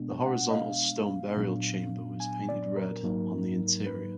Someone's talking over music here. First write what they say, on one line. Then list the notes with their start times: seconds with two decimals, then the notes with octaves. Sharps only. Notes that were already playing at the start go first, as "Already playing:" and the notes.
The horizontal stone burial chamber was painted red on the interior.
Already playing: B2 G#3 B3 D4
0.26 F#5
0.50 D#5
0.54 F5
1.37 A#2 F#3 B3 D4
2.20 G#5
2.48 D5
2.76 A#4
3.03 G#2 F#3 A#3 D#4
3.86 B4